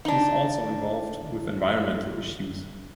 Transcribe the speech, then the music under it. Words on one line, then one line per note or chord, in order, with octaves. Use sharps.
She is also involved with environmental issues.
D4 D#4